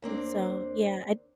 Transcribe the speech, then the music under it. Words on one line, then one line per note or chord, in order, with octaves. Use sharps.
And, so, yeah I'd
D#2 A#3 C4 D4